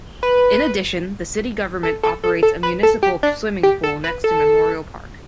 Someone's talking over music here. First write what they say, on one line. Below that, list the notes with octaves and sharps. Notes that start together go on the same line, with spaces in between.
In addition, the city government operates a municipal swimming pool next to Memorial Park.
B4
A4
A4
A4
A4
B4
A4
G4
D4
G4
A4
B4
A4